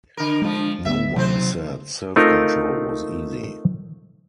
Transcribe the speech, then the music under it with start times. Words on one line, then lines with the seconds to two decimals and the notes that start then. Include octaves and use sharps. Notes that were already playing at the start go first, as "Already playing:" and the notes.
No one said self-control was easy.
0.17 D3 A#4
0.42 D3 F3 G#3 D4
0.85 D2 B3 E5
1.16 D#2 C3 F#3 C4 C5
2.16 A3 C4 D#4 F4 A#4